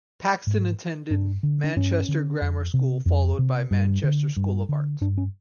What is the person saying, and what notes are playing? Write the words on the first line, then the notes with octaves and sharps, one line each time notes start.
Paxton attended Manchester Grammar School followed by Manchester School of Art.
G#2
G2 D4
D3
D4
G2 C#4
D3
F2
C3
F2
C3
G2
D3
G2
D3
G2 D4
C#4